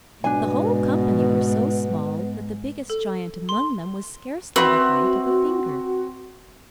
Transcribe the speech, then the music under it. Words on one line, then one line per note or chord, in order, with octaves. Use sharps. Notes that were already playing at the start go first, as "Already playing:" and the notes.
The whole company were so small, that the biggest giant among them was scarcely the height of a finger.
G#2 B2 B3 D4 G#5
A4
C6
C4 F#4 B4 E5 B5